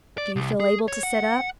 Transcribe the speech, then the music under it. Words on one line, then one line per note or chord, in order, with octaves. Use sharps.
Do you feel able to sit up?'
D5
C2
G#4
C#5
F#5